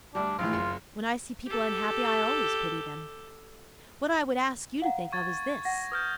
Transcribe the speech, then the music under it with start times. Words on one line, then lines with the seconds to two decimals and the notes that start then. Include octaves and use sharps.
When I see people unhappy I always pity them. What I would ask you to think of is this.
0.15 D2 G3 D4
0.39 A#1 A2 E3 F4
0.53 F#1 C6
1.47 G4 A4
4.82 F5 F#5 A#5
5.12 C#6 G#6 A6
5.65 F#5 A#6
5.92 B4 D#6 F6 G6